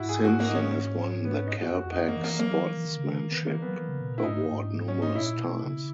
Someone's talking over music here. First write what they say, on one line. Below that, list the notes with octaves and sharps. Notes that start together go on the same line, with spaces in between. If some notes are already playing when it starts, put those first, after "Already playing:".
Simpson has won the Cal Pac Sportsmanship award numerous times.
Already playing: G#2 E4 F#4
G#4
F#4
A#3
D#4
C#4
B3
C#4
D#4
F#4
F#2
F#4
E2
F#2 D#4
A#3
E3
A#3
F#3 A#3
E3
E3
D#3
C#3
D#3
D#3
D#3 B3
D#3 A#3
E3
F#3 B3
E3
C#3
B2
A#2
E4
G#2 D#4
G#2
C#4
D#4
A#2 E4
B2
C#3